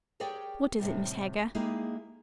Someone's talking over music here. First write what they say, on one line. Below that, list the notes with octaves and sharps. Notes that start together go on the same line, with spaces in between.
What is it, Miss Heger?
G4 G#4 A#4 C#5 D5 G5
A2 C3 D#3 G3
G#3 A#3 D#4 E4 G4 G#4